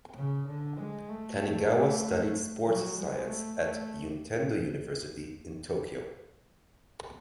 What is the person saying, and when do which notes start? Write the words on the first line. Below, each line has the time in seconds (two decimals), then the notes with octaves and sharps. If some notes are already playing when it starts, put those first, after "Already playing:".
Tanigawa studied sports science at Juntendo University in Tokyo.
0.15 C#3
0.47 D3
0.78 G#3
1.09 A3
2.64 F#3
2.95 G#3
3.27 A3
3.57 A3